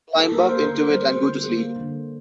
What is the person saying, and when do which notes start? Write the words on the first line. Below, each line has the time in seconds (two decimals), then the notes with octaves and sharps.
Climb up into it and go to sleep.
0.21 A4
0.32 A#3 A#4
0.45 C5
0.61 D3 A#4
0.75 A#4
0.90 G3 C5
1.10 C5
1.18 D3
1.48 A#3
1.76 D3